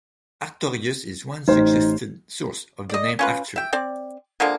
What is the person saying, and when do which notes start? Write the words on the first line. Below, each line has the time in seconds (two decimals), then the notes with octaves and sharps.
Artorius is one suggested source of the name Arthur.
1.48 A1 D#4 C5
2.89 D5 D#5
3.19 C#4 F4 B4
3.56 E5 G5
3.73 C4 D5
4.40 D3 F3 G#3 A#3